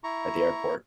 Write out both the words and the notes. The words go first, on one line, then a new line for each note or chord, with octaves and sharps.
at the airport,
E4 A#5 C#6